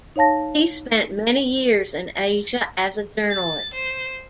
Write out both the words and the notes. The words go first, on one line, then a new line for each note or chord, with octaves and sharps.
He spent many years in Asia as a journalist.
D#4 C#5 F5 A5 A#6
A6
C5